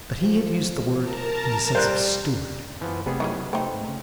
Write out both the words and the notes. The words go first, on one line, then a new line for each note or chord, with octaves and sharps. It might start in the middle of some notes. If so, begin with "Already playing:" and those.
But he had used the word in the sense of Steward.
F3
A#4 A5 A#5
G3 C5 F#6
F#2 E3 F3 B3
G1 C3 G3 A3 B3 G#4
D#3 E3 F#3 C#4
C3 A3 C4 D#4
G#2
C#3